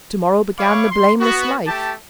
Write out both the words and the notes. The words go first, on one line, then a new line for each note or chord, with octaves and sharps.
To-morrow began the blameless life.
C#5 E5 F5 B5 C#6 D6
C6
B3 F#4
A3 G4 G5 A5